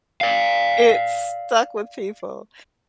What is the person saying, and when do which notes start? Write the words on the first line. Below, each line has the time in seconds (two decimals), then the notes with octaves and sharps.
It stuck with people.
0.21 D5 F5